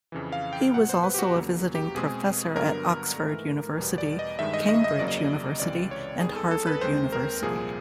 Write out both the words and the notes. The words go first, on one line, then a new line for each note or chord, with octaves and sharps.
He was also a visiting professor at Oxford University, Cambridge University and Harvard University.
F2 C#3 E3
F5
G5
A#2 F#3 B3 F#5
C5
B4
G4
F#4
E2 C#3 F#3 A#3
G4
B2 G#3 C4 G#4
G2 D3 F#3 B3 A#4
G#2 E3 A3
E2 B2 G3 B3
D5
D#5
G2 D#3 G#3 E5
D#5
D#5
D#5
F2 C#3 F#3 A#3 D5
D#5
D5
C#2 C3 E3 D5
C#5
D#2 D#3 G3 B3 G#4
A4
A4
B4
D#2 D#3 G#3 C4 C5
A#4
C2 A#2 F3 A#3 G#4